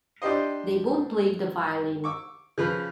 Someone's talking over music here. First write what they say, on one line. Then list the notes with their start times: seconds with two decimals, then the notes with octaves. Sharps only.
They both played the violin.
0.22 D4 E4 G4 C5 D#5
2.04 C#6 D6 E6
2.58 C#3 F3 B4